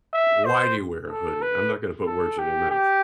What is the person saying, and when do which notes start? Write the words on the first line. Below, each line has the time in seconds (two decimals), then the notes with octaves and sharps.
why do you wear a hoodie? I'm not gonna put words in your mouth,
0.13 E5
0.45 C5
1.10 A4
1.42 B4
2.07 A4
2.39 G4
2.71 G4